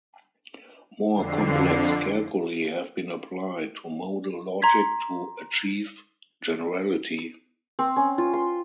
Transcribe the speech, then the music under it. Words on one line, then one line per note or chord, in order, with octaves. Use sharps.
More complex calculi have been applied to modal logic to achieve generality.
F2 D3 C7
A#5 C6 G#6 B6
C4
C#4
F4
C6